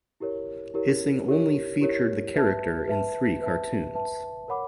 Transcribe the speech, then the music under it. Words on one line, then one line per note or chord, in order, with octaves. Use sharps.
Ising only featured the character in three cartoons.
E4 G4 A#4 C#5
E4 G4 A#4 C#5
E4 G4 A#4 C#5
E4 G4 A#4 C#5
B4 E5 A5
B4 E5 A5
B4 E5 A5
B4 E5 A5
A#4 C#5 F#5 B5 D6